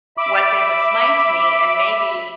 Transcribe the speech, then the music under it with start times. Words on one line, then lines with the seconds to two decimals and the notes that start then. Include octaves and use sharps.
what they've explained to me, and maybe,
0.17 E5 B5 D6